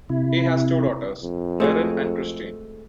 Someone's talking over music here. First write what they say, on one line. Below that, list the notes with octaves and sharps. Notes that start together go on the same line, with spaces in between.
He has two daughters, Erin and Christine.
C3 E4
F2
G#3 A3 F#4 G#4